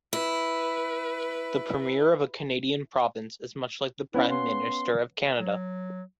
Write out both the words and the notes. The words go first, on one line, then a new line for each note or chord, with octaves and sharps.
The premier of a Canadian province is much like the Prime Minister of Canada.
E4 B4
B3 C#4 E4 F5
C6
F#3